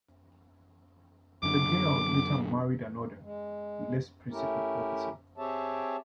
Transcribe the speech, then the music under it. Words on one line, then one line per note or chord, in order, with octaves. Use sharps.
The girl later married another, less principled officer.
F#2 D3 D6
G#3
A3 C#4 E4 G4 A#4
C4 G4 G#4 C#5 E5 A5